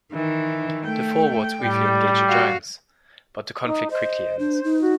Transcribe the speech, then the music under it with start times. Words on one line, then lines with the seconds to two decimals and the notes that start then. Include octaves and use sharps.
The Forwards briefly engage the Giants, but the conflict quickly ends.
0.14 D#3 E3
0.86 A3 G5
1.61 A2 G3
2.29 F#4 F5
3.65 D#4
3.90 C5 D#5
4.39 D4
4.64 D#4
4.81 F#4